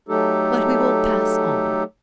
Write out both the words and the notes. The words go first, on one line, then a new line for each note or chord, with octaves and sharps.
But we will pass on.
F#3 A3 D#4 G4 A4